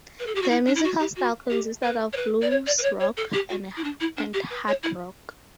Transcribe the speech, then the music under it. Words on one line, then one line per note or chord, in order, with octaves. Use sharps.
Their musical style consisted of blues rock, and hard rock.
B4
A4
G4
F#4
E4
D4
E4
F#4
G4
F#4
G4
B4
C#5
B4
D5
C#5
D5
B4
C#5
C#5
A4
G4
F#4
E4
D4
E4
D4
G4
B4
C#5
E4